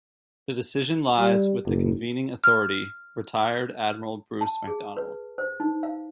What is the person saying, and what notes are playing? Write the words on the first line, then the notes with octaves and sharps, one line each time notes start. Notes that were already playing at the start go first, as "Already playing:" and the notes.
The decision lies with the Convening authority, retired Admiral Bruce MacDonald.
G3
F#1
F6
A5
G#4
B4
C5
D#4
F5